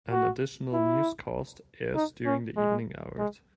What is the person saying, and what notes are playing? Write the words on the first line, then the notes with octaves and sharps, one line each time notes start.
An additional newscast airs during the evening hours.
F#4
E4
D#4
C#4
G#3
G#3